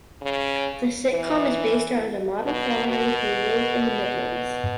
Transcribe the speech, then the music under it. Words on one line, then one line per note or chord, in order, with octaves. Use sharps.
The sitcom is based around a modern family who live in the Midlands.
C#3
E3
B2
B2